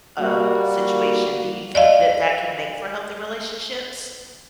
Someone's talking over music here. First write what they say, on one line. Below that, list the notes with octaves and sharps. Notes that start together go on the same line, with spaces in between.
uh, situation. Do you think that that can make for healthy relationships?
G3 A#3 F#4
D5 D#5 F5